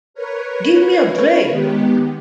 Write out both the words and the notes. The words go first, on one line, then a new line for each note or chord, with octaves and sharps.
Give me a break!
A#4 B4 C#5
D#3 G#3 B3 G4